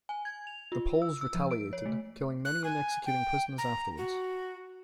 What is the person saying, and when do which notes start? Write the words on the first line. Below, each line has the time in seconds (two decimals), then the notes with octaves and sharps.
The Poles retaliated, killing many and executing prisoners afterwards.
0.09 G#5
0.25 G#6
0.47 F7
0.72 F4
1.02 E6
1.21 E6
1.35 F3
1.51 D7
1.73 C#5
1.85 A3
2.45 F#6
2.64 G#5
3.06 G5
3.58 A#5
3.97 F#4